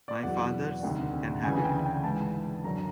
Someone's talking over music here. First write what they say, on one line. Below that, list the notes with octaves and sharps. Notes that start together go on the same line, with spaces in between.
My fathers can have it!
D5
E2 B2 F#3 F#5
D2 C3 D#3
D2 C#3 E3 G#5
G5
G5
G#2 E3 A5
F#2 D3 F#3 A#5